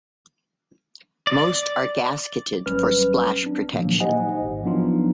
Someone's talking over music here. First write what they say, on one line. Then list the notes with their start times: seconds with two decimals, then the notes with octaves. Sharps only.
Most are gasketed for splash protection.
1.27 D5
2.66 G#1 F#3 G3 C#4 B4 F6
3.43 C4 D4
3.73 A#2 D#3 F3 F#3 A#3
4.00 D#4 G4 C5 D#5 F#5 G#5
4.42 G#1
4.63 F3 F#3 B3 D4 D#4 F4